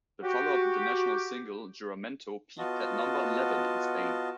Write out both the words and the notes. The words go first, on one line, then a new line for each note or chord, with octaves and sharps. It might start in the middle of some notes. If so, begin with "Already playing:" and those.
The follow-up international single, "Juramento" peaked at number eleven in Spain.
F#4 G4
B3 F4 F#4 D#5 A5